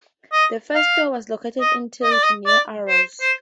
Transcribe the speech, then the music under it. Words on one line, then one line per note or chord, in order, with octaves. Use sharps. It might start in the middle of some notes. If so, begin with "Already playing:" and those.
The first store was located in Tilst, near Aarhus.
D#5
F5
D#5
D#5
D5
D#5
D5
C5
C5